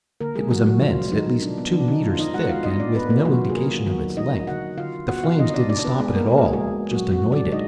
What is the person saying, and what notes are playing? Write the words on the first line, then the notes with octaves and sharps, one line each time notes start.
It was immense, at least two meters thick and with no indication of its length. The flames didn't stop it at all, just annoyed it.
D3 A#3 A#4
G#3 G#4
D3 F#3 F#4
F#3 F#4
F3 F#3 F4
D#3 F#3 D#4
F#3 D4
B3
D3 D4
D#3 D#4
D#3 F3 F4
D#4 D#5
G#3 F#4 F#5
F4 F5
B3 D#4 D#5
D4 D5
B3 B4
A#3 A#4
F4
D#3 F#3 F#4
G#4
D#3 A#3 A#4
D#3 F#3 F#4
D#3 D#4 D#5
D3 F#4 F#5
D3 F4 F5
B3 F#4 F#5
F4 F5
B3 D#4 D#5
D#5
D4 D5
F3 D4 D5
D5
B3 B4
G#3 B3 G#4
A#3 A#4
G#3 A#4
G#4
F#4
G#3 G#4
F3
A#2 F#3 F#4
F#3 F#4
G#3
D4 D5
G#3 D#4 D#5